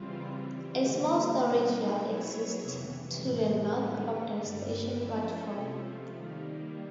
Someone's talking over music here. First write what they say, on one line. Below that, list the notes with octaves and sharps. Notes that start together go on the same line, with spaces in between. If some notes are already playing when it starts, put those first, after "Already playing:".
A small storage yard exists to the north of the station platform.
Already playing: C#3 E3 G3 C4 F4
E3 G3 C4
D3 G3 A#3
B2 G3 C4 D#4
F#3 B3 E4 G#4 C#5
F2 C3 E3
A2 E3 G#3
D3 G3 B3
G2 D3 G3
F3 A3 C#4 E4 A4
C3 F3 A3
D#3 G3 A#3